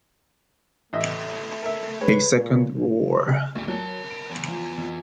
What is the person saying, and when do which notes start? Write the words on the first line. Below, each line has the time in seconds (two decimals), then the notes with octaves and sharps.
A second roar.
0.93 A1 A3 D#5 E5
1.62 A#4 E5
2.01 G#3 B4 C#5
2.37 A#2
3.55 D2 G#2 G4
3.68 F#3 A#4 A5
4.10 D7
4.30 E2
4.48 F3
4.78 F2